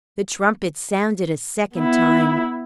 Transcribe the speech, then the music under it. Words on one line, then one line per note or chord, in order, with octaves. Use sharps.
The trumpets sounded a second time.
B3 E4